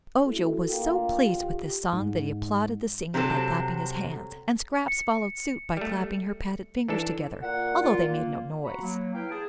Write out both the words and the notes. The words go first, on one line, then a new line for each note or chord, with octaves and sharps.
Ojo was so pleased with this song that he applauded the singer by clapping his hands, and Scraps followed suit by clapping her padded fingers together, although they made no noise.
A3 C#4 E4 F#4 A4
D2 D3 A#3 F4 G5
G4
G#2
C3 F#3 C4 A4
C#7
G3 A3
E3 D4 A4
A#2 F#5
F4
A#3
F#4 F#5 A#5 B5
F#3 A#3
E4 B4 F5 G5
G#4 A5